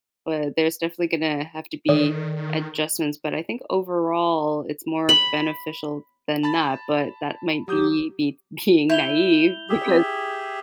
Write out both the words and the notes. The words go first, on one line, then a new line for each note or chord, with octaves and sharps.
but there's definitely gonna have to be adjustments, but I think overall it's more beneficial than not, but that might be be being naive because
D#3 A4 D5
B5
A5 B5 A6
F#3 G4 D#6 G6
E4 G6 F7 G7
G4 G#4 E5